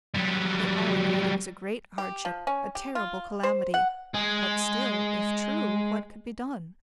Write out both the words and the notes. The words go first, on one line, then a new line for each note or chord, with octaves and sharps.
They all agreed it was a great hardship,--a terrible calamity; but still, if true, what could be done?
F#3 G3
G4
F3
C#4
G4
F4
C5
F#5
G#3 G#4